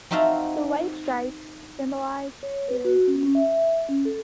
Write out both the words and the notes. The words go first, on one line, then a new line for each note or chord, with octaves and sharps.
The white stripes symbolize purity.
C4 D#4 F#4 E5 F5 A5
C#5
B4
F#4
C#4
C#4
E5
C#4
A4